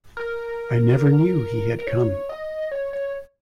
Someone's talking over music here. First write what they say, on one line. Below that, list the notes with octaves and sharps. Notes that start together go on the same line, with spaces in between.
I never knew he had come!
A#4
A#4
C#5
D#5
C#5
C#5